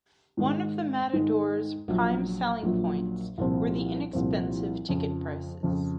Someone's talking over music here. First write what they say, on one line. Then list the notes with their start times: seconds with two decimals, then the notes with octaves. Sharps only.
One of the Matadors' prime selling points were the inexpensive ticket prices.
0.37 G#2 D#3 G#3
1.13 G#2 D#3 G#3
1.88 A#1 A#2 F#3
2.63 A#1 A#2 F#3
3.38 C2 A#2 F3 C4
4.13 C2 A#2 F3 C4
4.89 F2 C#3 F3
5.63 F2 C#3 F3